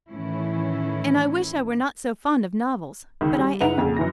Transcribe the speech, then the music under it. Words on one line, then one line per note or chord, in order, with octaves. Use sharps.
And I wish I were not so fond of novels; but I am.
A2 D#3 E3 C#4 E4
C#2 D#3
G3
F#1 D#4 B4 E5 F#5 F7
F2 A#2 C#3
F#2 E3 A#6